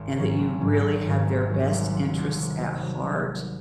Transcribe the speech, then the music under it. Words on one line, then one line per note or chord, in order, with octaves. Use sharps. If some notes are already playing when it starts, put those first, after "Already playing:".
and that you really have their best interests at heart,
Already playing: G#1
G#2 D#3 F#3 C#4
G#1
G#2 D#3 F#3 C#4
G#1
G#2 D#3 F#3 C#4
G#1
G#2 D#3 F#3 C#4
C2
C3 F#3
C2
C3 F#3
C2
C3 F#3
C2